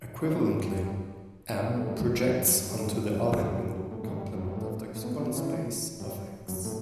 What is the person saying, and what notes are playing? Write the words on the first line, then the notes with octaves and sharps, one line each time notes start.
Equivalently, "M" projects onto the orthogonal complement of the column space of "X".
C#3
B2
A2
G2
B2
A2
G2
A2
B2
F#2
G2
F#2
G2
A2
G2
F#2
G2
A2
F#2
G2
F#2
G2
F#2
A2
A2
G2
F#2
G2
A2
A2
B2
B2 D3
C#3 E3
G2
F#2
A2